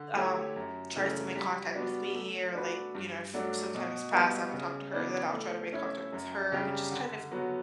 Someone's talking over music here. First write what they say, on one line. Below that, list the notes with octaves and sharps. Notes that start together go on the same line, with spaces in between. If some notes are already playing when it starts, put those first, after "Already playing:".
um, tries to make contact with me, or, like, you know, if some time has passed, I haven't talked to her, then I'll try to make contact with her. We just kind of
Already playing: D3
A3 E4 G4 C#5
F#2
C#3 E3 A3
G3
B3 D4 F#4
A3
D4 F#4 B4
G2
F#3 A3 D4 F#4
B2
G3 B3 E4 B4
C#3
E3 B3 D4
A3
C#4 E4
F#2
C#3 G3 D4 G4
D3
F#3 B3 F#4